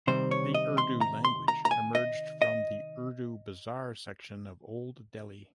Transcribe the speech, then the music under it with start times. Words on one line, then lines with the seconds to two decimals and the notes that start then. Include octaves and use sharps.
The Urdu language emerged from the Urdu Bazaar section of Old Delhi.
0.07 C3 D#3 G3 C4 C5
0.31 C#5
0.54 D#5
0.78 C6
1.01 A#5
1.25 C6
1.48 A#5
1.65 A#5
1.71 G#5
1.95 D#5
2.42 D#5